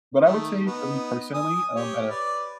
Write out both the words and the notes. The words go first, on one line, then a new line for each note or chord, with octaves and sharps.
But I would say for me personally, um, at a
D#3 A3
B3 D#4
G#5 D#6
G4 C#5
B4 D5